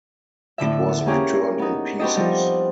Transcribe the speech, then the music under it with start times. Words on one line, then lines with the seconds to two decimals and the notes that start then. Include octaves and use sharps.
It was returned in pieces.
0.58 A2 D3 E5
0.88 B3
1.06 A#3 C#4 G4 G#4 A#4
1.59 B3 D#4
1.99 B3 C4 F#4 G4 A4 D#5
2.16 F3 G3